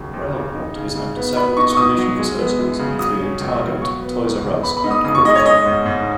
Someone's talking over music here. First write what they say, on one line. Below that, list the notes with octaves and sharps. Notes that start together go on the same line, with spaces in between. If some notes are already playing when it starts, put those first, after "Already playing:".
Railport is home to several distribution facilities including Target, Toys "R" Us, and QuikTrip.
Already playing: D#2 C#3 F#3
D#2
C#3
D#4
C#3
C#3
B3
B3 B5
D#4 C#6
C#6
B2 D#6
F#3
G#3
B3
F#2
C#3
F#3 D#6
C#4
C#2
B2
F#3 C#6
B3
D#2
C#3
B3 B5
B5
D#4
D#6
C#3 D#6
C#6
G#3 D#5
C#5
C#4 D#5
G#2
G#2